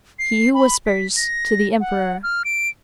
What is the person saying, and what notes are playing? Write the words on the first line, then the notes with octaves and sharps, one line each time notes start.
He who whispers to the emperor.
C7
B5
B6
A#6
F#5
F6
D7